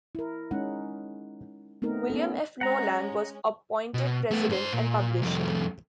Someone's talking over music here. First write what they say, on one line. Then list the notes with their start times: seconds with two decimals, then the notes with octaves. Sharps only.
William F. Knowland was appointed president and publisher.
0.15 E4 A#4
0.51 G#3 C#4 D#4 F#5
1.82 A3 B3 C4 D#4 A#4
2.10 B3 C#4 A4
2.61 G#3 C#4 F#5 A#5
3.94 B2
4.31 A3 B3
4.49 G2 C5
4.73 A#2
5.22 C2 F2